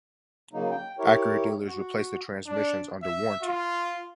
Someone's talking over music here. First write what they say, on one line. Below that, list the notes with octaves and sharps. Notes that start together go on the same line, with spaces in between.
Acura dealers replace the transmissions under warranty.
C#3 F#3 A#3 D#4
G5
E4 G4 A#4 C#5
F#4
D4
E5
F4